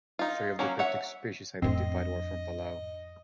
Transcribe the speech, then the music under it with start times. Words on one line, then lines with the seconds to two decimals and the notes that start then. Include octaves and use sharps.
Three of the cryptic species identified were from Palau.
0.19 D#4 F4
0.59 F#3 A#3 C#4
0.79 C#5 E5 F#5
1.62 F2 A2 C4 D4 D#5